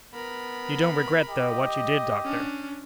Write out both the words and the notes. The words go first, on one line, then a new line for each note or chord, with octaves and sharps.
"You don't regret, though, what you did, doctor?"
B3 A#4 B5
G4 D#5
C#4 D4